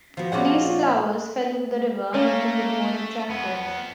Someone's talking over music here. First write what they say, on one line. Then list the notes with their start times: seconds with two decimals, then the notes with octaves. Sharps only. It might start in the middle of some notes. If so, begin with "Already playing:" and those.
These flowers fell into the river making it more attractive.
0.17 F3 B3 F#4
0.32 A#2 C#4 F#4 G#4 D5 F#5
0.62 F4
2.14 A3 A#3 C#4
3.30 F2 B3